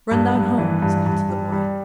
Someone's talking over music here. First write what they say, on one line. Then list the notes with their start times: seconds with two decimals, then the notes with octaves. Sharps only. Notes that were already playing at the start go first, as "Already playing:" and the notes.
"Run down home," said he to the boy.
0.11 G2
0.35 G2
0.58 E3
0.82 G2
1.06 G2
1.29 G3
1.52 G3